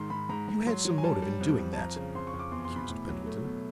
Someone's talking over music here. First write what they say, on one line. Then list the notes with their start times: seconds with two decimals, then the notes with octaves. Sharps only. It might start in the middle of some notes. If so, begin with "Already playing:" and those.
"You had some motive in doing that," accused Pendleton.
Already playing: G#2 D#3 C6
0.10 G#2 B5
0.29 G#2 A#5
0.48 G#2
0.66 F#3 C6
0.85 F#3
0.98 G#5
1.04 G3 A5
1.22 G3
1.41 F2
1.59 F2
1.73 A5
1.77 F2 A#5
1.96 C#3
2.15 F2 C6
2.27 C#6
2.33 F2
2.39 D6
2.51 E2 C6
2.64 C6
2.70 B2
2.76 B5
2.89 A2
3.08 F#3
3.26 A3
3.44 B2